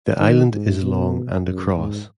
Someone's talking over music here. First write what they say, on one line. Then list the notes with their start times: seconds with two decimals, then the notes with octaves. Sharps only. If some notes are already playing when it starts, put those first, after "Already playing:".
The island is long and across.
0.20 D#3
0.51 G#2
0.82 B2
1.46 F#2
1.77 G#2